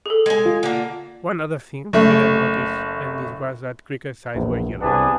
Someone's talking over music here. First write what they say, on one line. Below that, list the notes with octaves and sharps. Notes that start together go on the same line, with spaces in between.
One other thing Peter noticed and this was that Creaker's eyes were yellow.
G#4 A4
G#3 G#5
F4
D3 A#3
F#1 A3
A#1 E2
C2 B3 D4 G#4 F#5